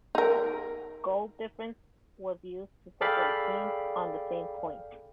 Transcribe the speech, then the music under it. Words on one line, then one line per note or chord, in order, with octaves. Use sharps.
Goal difference was used to separate teams on the same points.
D#4 A#4
G#4 A4 D5 F5 G5 B5